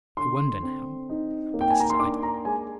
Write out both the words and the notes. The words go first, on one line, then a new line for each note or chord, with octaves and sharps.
I wonder now--But this is idle.
D3 C6
C4
D#4
A#3
G5
G#5
A#5
C6
D4 D6
A#5
G#3 G#5